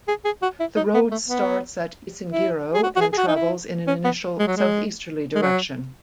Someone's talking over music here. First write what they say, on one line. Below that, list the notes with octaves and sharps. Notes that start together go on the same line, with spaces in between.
The road starts at Isingiro and travels in an initial southeasterly direction.
G#4
G#4
F#4
E4
D#4
B3
A3
B3
E4
G#4
F#4
F#4
G#4
G#4
F#4
D#4
E4
C#4
B3
G#3
F#3
G#3
G#3
F#3